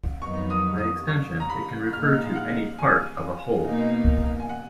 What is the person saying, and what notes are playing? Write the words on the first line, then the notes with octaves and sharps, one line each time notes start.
By extension it can refer to any part of a whole.
F2 D#3 F#3 B3 D#4 C#6
D#6
D#6
C#6
A#5
B5
A#2 G#3 D#4 F6
F5
F#5
G#5
B2 A#3 D#4
G#5
F#5